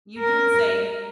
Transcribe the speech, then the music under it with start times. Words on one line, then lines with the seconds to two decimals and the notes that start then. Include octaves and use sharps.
You do the same.
0.19 A#4